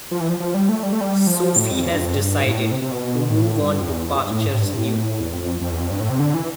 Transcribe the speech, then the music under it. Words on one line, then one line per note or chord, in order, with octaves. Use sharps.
Sophie has decided to move on to pastures new.
F3
E3
F3
F3
G3
A3
G3
A3
G3
F3
A2
F2
E2
G2
F2
G2
A2
C3
C3
B2
A2
G2
F2
E2
F2
G2
A2
G2
A2
G2
A2
E2
F2
F2
E2
F2
G2
A2
C3
D3
E3